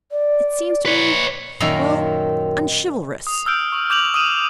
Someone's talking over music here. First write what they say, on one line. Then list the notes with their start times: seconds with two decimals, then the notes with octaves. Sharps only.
It seems to me--well--unchivalrous.'
0.11 D5
0.86 B4 C#5
1.60 F#2 A#2 D#3 E5 A#5
3.27 D#6
3.46 E6 F6 G6 D7
3.72 C#6 F#7
3.90 D6 G6 F7 F#7
4.14 D#6 F6 D#7 E7 F#7